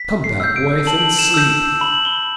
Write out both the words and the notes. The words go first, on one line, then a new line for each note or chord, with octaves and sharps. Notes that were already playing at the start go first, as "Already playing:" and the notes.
"Come back, wife, and sleep."
Already playing: B6
C7
E6 G6
D7
A5 F#7
E7
E6 G6
E7
B5 F#7
G7